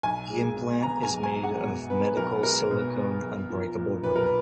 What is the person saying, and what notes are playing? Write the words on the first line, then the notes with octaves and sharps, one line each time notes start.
The implant is made of medical silicone unbreakable rubber.
B1 G#5
G#3
B2
B3 A#5
G#5
B1
G#5
G#3
F#5
B2
B3 B4
B1 A#4
G#3 A#4
B2
B3
B1
F3
A#2
B1 B4
A#4
B4